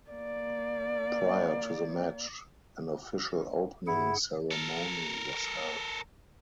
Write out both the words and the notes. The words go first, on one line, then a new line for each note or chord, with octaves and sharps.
Prior to the match an official opening ceremony was held.
A#3 D5
G2 E4 G#4 F#5
A4 A#4